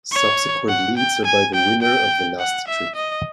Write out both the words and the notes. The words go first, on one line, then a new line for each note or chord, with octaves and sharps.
Subsequent leads are by the winner of the last trick.
C#5
F#5
G5
G#5
G5
G5
F#5
E5
D#5